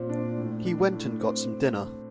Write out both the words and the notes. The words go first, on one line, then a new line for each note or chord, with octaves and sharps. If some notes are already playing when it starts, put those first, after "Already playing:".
He went and got some dinner.
Already playing: A#2 C4
D4
A2
D4
A2
C4